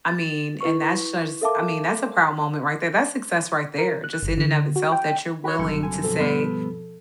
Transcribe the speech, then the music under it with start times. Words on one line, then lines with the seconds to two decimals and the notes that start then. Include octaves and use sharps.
I mean, and that's just I mean, that's a proud moment right there; that's success right there, just in and of itself that you're willing to say,
0.08 A6
0.61 E4 B4 C#6
1.41 A4 A#4 E5 F5 A5 D6
3.78 A#4
4.04 F#6
4.23 G1
4.38 D3
4.76 F#4
4.92 G5
5.44 F#4 C#5 B5
5.59 G1 C2 F#2 D3 C#7
5.83 G#5
6.04 B2 F3 A4
6.20 G2 B3